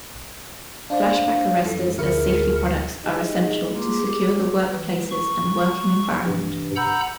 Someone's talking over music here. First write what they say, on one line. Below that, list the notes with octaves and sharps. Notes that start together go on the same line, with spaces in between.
Flashback arrestors as safety products are essential to secure the workplaces and working environment.
D4 C5 D5 F5
F#2 E3 A4
D2 E4 G#4 A#4 C#7
D#4 F4 G4 G#4 D#5
A#3 F4 G#4 C6 D6
B3 G4 G#4 D6
E3
C#6
G2 C3 E3
F#5 A#5 B5 E6 G6